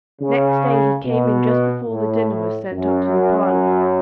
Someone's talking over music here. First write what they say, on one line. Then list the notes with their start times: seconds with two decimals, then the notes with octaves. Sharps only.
Next day he came in just before the dinner was sent up to the parlour.
0.22 C#3
1.05 B2
1.88 A2
2.73 F#2